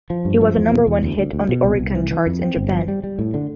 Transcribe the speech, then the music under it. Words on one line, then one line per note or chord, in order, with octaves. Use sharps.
It was a number-one hit on the Oricon Charts in Japan.
F3
G2
F3
E2
B2
E2
D2
D2
D2
B2
C2
C2
E3
E3
F2
C4
G1
F3
G3
G3
A2
D3